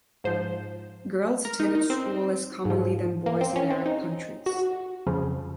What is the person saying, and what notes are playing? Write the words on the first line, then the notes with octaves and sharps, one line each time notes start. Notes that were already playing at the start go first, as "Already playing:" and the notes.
Girls attended school less commonly than boys in Arab countries.
G#2 F3 C5
A#4
D#4
D#4
C4
G#2 F3
A#3
C4
C#4
C4
D#4
F#4
F2 C#3 F3